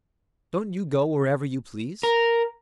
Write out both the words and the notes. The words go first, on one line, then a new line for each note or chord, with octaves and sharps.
"Don't you go wherever you please?"
A#4